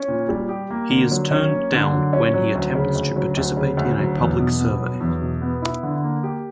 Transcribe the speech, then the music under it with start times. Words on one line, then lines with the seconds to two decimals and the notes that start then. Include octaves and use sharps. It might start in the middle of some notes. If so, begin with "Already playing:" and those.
He is turned down when he attempts to participate in a public survey.
Already playing: C#4
0.08 A#2
0.29 G3
0.49 G4
0.70 A#3
0.90 D3
1.11 F#3
1.31 C#4
1.51 A#3
1.72 D3
1.93 F#3
2.13 C#4
2.34 F#3
2.55 D2
2.75 C#3
2.95 D2
3.16 F#3
3.37 D2
3.57 C#3
3.77 D2
3.98 F#3
4.18 E2
4.40 B2
4.60 B3
4.80 F#3
5.00 E2
5.21 B2
5.41 B3
5.62 E4
5.83 D3
6.03 A#3
6.23 G4